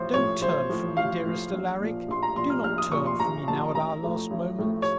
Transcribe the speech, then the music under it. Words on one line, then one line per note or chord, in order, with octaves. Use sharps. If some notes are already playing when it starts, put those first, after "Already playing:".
'Don't turn from me, dearest Alaric; do not turn from me now at our last moments.
Already playing: A1 A2 F3 C5
A2 F3 C#5
A1 C5
A2 F3
A1 F5
A2 F3
A#1
A#2 F3
A#1 C6
A#5
A#2 F3 C6
F6
A#1 F6
D#6
A#2 F3 C#6
C6
A#1 A#5
A#2 F3 A5
A1 A#5
A2 F3 A3
A1
A2 F3 A3
C#5